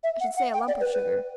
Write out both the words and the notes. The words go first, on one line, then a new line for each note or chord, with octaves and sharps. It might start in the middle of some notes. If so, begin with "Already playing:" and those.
I should say a lump of sugar.
E5
F#5
F#5
G5
D5
B4
B4